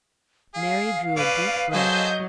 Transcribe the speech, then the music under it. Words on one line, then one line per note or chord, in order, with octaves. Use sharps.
Mary drew a deep breath.
G#4 F5
C#4 B4 D5
F#3 G#4 A4 C5 D#5 G6